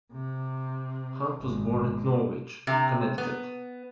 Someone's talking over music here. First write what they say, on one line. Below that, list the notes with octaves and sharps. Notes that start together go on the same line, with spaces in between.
Hunt was born at Norwich, Connecticut.
C3
G#1
C3
B3